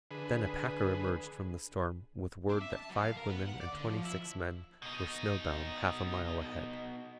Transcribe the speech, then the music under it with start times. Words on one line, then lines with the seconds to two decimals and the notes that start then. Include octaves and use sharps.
Then a packer emerged from the storm with word that five women and twenty-six men were snowbound half a mile ahead.
0.11 D3 G#4 B4
2.49 D4
2.61 E5
2.73 A5
2.90 F#2
3.02 F5
3.17 A#4
3.29 B3
3.46 F#5
3.60 D5
3.73 D3
3.87 F3
4.05 E4
4.82 B2 D#4